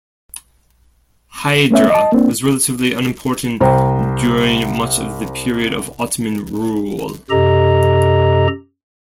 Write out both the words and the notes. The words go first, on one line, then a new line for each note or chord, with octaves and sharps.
Hydra was relatively unimportant during much of the period of Ottoman rule.
A3 B3 C#4 E5
D#5 A5
A#3 C4 D4
C2 C5 G5 A#5
F#2 C3 G4 A4 D#5 A#5